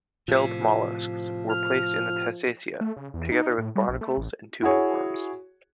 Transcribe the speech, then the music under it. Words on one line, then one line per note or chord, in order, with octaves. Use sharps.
Shelled molluscs were placed in the Testacea, together with barnacles and tube worms.
A2 C3 F3
F6
A3
C#3
E2
D#4
A2
G3
A#1
A3
A1
E4 F#4 G#4 C#5